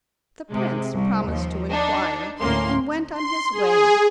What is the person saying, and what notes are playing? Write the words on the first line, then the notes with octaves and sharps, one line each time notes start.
The prince promised to inquire, and went on his way.
C3 G#3
C2
D#2 F3
D4 D#4
D2 A2 A#3 C#4 C6
C6
G#4